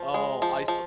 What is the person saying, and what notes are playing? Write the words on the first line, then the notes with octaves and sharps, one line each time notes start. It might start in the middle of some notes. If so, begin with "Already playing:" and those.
Oh, I sa
Already playing: F3
G#3
F3
F3